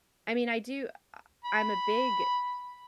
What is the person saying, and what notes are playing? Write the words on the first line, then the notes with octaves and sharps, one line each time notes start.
I mean, I do I I'm a big,
B5